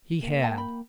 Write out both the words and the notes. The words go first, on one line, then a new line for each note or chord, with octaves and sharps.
He had.
A#3
E5 G5 A5
G5 B5